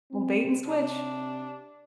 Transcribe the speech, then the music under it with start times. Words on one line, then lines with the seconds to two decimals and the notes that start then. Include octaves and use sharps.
old bait and switch.
0.11 C4
0.66 C3 D4